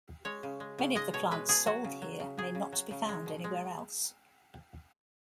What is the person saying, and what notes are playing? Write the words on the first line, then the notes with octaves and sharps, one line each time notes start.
Many of the plants sold here may not be found anywhere else.
G#3 C#5
C#3
G#3
C#3
G#3 D#5
B2 C#5
G#3 B4
B2 G#4
F#3 F#4
C#3
F#3
C#3
F#3 G#4
C#3
F#3
C#3
G#3
B2
G#3